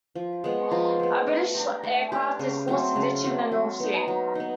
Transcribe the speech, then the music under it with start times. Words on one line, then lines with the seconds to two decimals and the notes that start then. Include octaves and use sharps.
A British aircraft is forced to ditch in the North Sea.
0.15 F3
0.44 G#3 B3
0.71 F3
1.00 G#3 B3
1.28 A3
1.55 D4 G4
1.83 A3
2.12 D4 G4
2.39 C#3
2.68 F#3 A3 C4
2.96 C#3
3.24 F#3 A3 C4
3.52 F#3
3.80 B3 D#4
4.08 F#3
4.35 B3 D#4